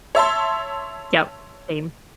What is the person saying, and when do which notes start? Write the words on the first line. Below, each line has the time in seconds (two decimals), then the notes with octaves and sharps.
Yep. Same.
0.15 C#5 E5 A5 C6